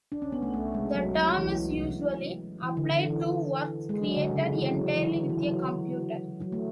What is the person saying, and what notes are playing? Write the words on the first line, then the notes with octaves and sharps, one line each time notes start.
The term is usually applied to works created entirely with a computer.
D4
C#4
B3
A3
A3
G#3
F#3
F#3
E3
E3
D3
D3
E3
G#3
F#3
D3
C#3
E3
F#3
E3
D3
E3
F#3
F#3
A3